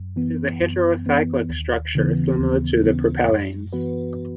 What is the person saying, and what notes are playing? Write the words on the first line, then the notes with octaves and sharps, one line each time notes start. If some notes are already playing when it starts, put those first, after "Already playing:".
It is a heterocyclic structure similar to the propellanes.
Already playing: F#2
E3 B3
F#2
E3 B3
D#2
C#3 E3 B3
D#2
C#3 E3 B3
F#2
E3 B3 F#4 B4